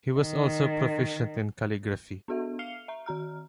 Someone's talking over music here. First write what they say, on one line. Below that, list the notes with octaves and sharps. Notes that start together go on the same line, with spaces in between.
He was also proficient in calligraphy.
D#3
B3 D4 F#4 A4 E5
F5 F6 C7 C#7 F7 G7
E5 A#5
D#3 F#4 A#5 F6